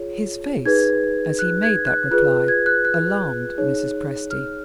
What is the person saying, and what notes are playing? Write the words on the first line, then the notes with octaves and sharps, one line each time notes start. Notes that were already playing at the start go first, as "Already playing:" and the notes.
His face, as he made that reply, alarmed Mrs. Presty.
Already playing: F4 G#4 C#5
D#4 G#4 B4 G#6
F#6
G#6
F#6
F4 G#4 B4 F#6
G#6
F#6
F#6
D#4 G#4 C#5
F6